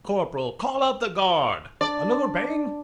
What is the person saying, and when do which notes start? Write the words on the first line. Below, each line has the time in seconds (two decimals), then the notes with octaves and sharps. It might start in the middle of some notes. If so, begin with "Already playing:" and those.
Corporal, call out the guard! Another bang!
1.81 D4 D5